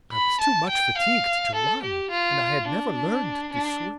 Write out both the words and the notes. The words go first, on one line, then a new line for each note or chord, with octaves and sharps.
I was too much fatigued to run, and I had never learned to swim.
B5
A5
G5
F5
A4
G4
F4
D4
D4